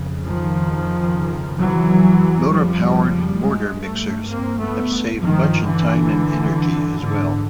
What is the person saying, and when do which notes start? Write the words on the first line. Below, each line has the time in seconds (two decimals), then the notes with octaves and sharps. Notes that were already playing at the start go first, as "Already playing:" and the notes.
Motor powered mortar mixers have saved much in time and energy as well.
Already playing: F2 C#3
0.23 D#3 F3
1.59 E3 F#3
2.49 F3 G3
3.39 G2 F#3 G#3
3.85 G3 A3
4.30 A#3 C4
4.60 A3 B3
5.20 D#3 F3
5.65 D3 E3
7.01 G#2 D3